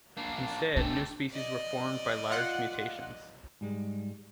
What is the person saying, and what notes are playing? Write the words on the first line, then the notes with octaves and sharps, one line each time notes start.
Instead, new species were formed by large mutations.
A#3 D4
A3 D4 G4
D5 D#5
F4 F#5 F#6
G#2 G3 G#3